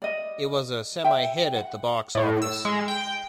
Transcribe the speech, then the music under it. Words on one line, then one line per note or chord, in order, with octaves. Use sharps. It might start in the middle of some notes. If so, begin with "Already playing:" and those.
It was a 'Semi-Hit' at the box office.
D5 D#5
E5 G5
F#5
A2
E6
G#3
G5